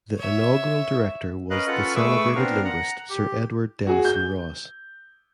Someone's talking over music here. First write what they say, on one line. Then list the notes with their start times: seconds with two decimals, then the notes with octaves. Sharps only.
The inaugural director was the celebrated linguist Sir Edward Denison Ross.
0.17 C#5 E5
1.50 C#4 A#4 B4 D#5 F5 F#6
1.68 C#4 F4 A4 B4 F#5
1.96 A3 G#4 B4 C#6 D6 E6
2.35 B3 C4 D4 A#4 F5
2.65 F#5 A#5
3.10 G4
3.87 F#4 G#4
4.05 G6